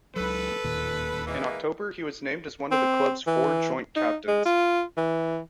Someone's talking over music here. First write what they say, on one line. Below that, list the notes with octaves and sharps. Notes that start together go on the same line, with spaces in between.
In October, he was named as one of the club's four joint-captains.
C#2 F#3 A4 B4
D1 D#2 A#2
E3 G#3 A#3
C4
E3
D#4
G#3
F4
E3